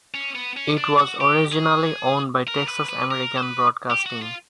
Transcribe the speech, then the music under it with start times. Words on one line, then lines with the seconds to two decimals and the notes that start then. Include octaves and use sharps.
It was originally owned by Texas American Broadcasting.
0.14 C#4
0.35 B3
0.57 C#4
0.78 D4
0.99 F#4
1.21 G4
1.52 G#4
2.48 A#4
2.68 B4
2.89 B4
3.11 A#4
3.36 C5
3.43 B4
3.90 G4
4.06 F#4
4.22 F4